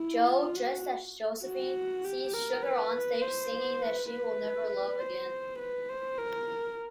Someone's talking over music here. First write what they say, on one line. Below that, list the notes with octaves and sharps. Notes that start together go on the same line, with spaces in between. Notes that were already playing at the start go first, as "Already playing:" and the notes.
Joe, dressed as Josephine, sees Sugar onstage singing that she will never love again.
Already playing: E4
F4
F#4
F#4
G4
A#4
B4
C5
B4
B4
C5
B4
C5
A#4